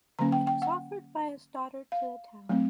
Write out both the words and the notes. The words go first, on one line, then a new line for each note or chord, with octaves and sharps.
It was offered by his daughter to the town.
D3 F#3 A#3 C#4 A#5
G5
G5
F#5
F5
F#3 A3 C4